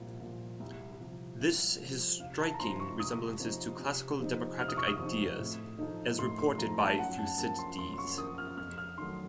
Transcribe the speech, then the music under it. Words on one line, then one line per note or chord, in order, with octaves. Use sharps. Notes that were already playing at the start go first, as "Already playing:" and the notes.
This has striking resemblances to classical democratic ideas, as reported by Thucydides.
Already playing: C2 A#2 F3
A#2 F3
C2
C3 F3
C2
C3 F3
C3 F5
A5
A#5
F3 C4 D#4 C6
C#6
C3 D#6
F3 C4 D#4
C3
F3 C4 D#4
C3 F6
D#6
C#6
D#6
F3 C4 D#4
A2
F3 A3 D#4
A2 C6
C6
F3 A3 D#4 A#5
A5
F#2 F#5
A5
F3 A#3 C#4 A5
C6
F#2 C6
C6
C#6
F3 A#3 C#4 D#6
F6
F2 F6
F6
D#3 F#3 A3 C6